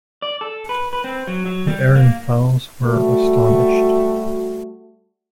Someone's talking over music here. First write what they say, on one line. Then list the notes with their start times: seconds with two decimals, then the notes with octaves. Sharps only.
The Ehrenfels were astonished.
0.22 D5
0.41 A4
0.69 B4
0.93 B4
1.04 C4
1.27 F#3
1.45 F#3
1.67 G3
1.96 A#3
2.83 G3 A3 F#4